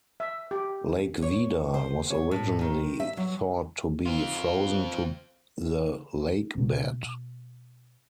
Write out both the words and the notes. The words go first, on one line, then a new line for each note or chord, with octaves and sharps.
Lake Vida was originally thought to be frozen to the lakebed.
E5
G4
C#5
C5
C#5
A2
D#3
E5
F#3
C4 F4
B2